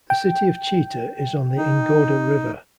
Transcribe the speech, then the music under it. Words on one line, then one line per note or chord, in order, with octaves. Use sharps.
The city of Chita is on the Ingoda River.
G5
D#4